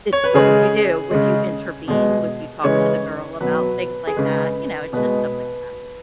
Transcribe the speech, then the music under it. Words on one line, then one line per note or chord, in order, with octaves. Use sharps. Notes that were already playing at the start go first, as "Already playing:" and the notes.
it's, "What would you do? Would you intervene? Would you talk to the girl about things like that?" You know, it's just stuff like that.
C#5
B4
C#3 G#3 G#4
C#3 G#3
B2 G#3
C#3 E3 G#3 C#5
B2 F#3 B4
G#4
C#3 G#3 B4
B2 G#3 B4